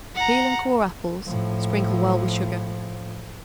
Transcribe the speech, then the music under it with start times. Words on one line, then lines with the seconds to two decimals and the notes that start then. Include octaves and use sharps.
Peel and core apples; sprinkle well with sugar.
0.15 F#5 A#5
1.27 A2 F3